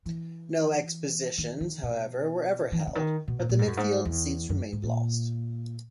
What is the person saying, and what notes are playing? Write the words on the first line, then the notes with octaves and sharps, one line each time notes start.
No expositions, however, were ever held, but the midfield seats remained lost.
E3
D#3
D#3
B2
E3
D#3
C#3
D#3
B2
A#2
A#2
G#2
F#2
G#2
E2
F#2
G#2
A#2